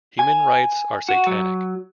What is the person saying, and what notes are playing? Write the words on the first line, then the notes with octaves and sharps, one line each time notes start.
Human rights are satanic!
G#5
F#4
F#3